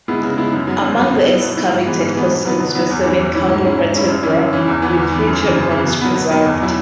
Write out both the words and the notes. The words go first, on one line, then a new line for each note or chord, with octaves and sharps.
Among the excavated fossils were seven caudal vertebrae with three chevrons preserved.
G#3 B3 E4
C#3
G#3 B3 E4
F#2
F#3 B3
F#2
F#3 B3
B2
B3 E4
B2
B3 E4
G#2
E3 G#3 B3
G#2
E3 G#3 B3
B2
F#3 B3
B2
F#3 B3
E2
E3 C#4 E4
E2
E3 C#4 E4
G#2
G#3 C#4 E4
G#2
G#3 C#4 E4
F#2
E3 C#4 E4
F#2
E3 C#4 E4
E2
E3 B3
E2
E3 B3
F#2
C#3 E3
F#2
C#3 E3
B2
F#3 B3
B2
F#3 B3
E2
B2 F#3 E4